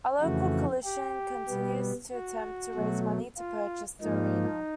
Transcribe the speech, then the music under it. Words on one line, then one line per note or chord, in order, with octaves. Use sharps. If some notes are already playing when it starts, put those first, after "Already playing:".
A local coalition continues to attempt to raise money to purchase the arena.
F2 C#3 E3 A3 F#4
G4
B2 G3 B3
F#4
B2 F#3 A3
F4
G#2 F3 A#3 D#4